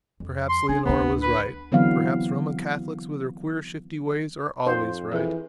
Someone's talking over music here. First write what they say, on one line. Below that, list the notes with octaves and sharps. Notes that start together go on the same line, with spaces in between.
Perhaps Leonora was right; perhaps Roman Catholics, with their queer, shifty ways, are always right.
F2
C6
D4 G#4
D2 B3 D4
B4
D3 E3 F#3 B3 C4 F5
F2 D#4 C5 F5
E3 G#4 A4